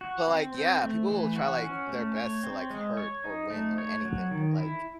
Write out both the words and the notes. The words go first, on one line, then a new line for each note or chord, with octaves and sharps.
But, like, yeah, people will try, like, their best to, like, hurt or win or anything, like,
F#4
C4
C4
A3
E3
F#4
C#4
A3
C#5
C4
G#3
C#5
D#4
A3
C#5
F#3
D#3
E4